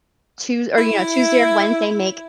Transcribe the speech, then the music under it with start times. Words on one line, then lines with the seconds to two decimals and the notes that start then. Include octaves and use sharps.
Tues or, you know, Tuesday or Wednesday make
0.77 E4